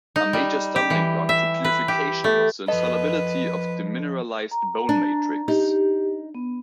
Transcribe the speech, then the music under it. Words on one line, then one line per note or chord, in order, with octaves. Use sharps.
A major stumbling block to purification was the insolubility of demineralized bone matrix.
D#4
G3
G4
E3
E5
B4
G4
A3
F3 A4 B4 D#5
A#5
D4
D#4 G4
B3